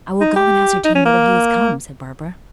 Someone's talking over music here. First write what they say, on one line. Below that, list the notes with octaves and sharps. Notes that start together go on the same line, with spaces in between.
"I will go and ascertain whether he is come," said Barbara.
D#4
G4
D#4
C#4
A#3